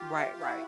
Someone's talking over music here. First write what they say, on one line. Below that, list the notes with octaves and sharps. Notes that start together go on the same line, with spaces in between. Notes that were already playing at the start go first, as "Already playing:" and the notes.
Right, right.
Already playing: F4 G4
E5
F4
E4 F#4 F5